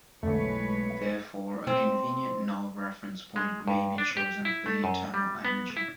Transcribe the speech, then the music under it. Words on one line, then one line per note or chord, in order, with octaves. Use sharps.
Therefore, a convenient null reference point may be chosen for the internal energy.
B1 F2 D3 E3 G#3 A3 B4 C#5
C4
G#3
G2
D4
G4
E4
A3
F#2
G3
B3
E4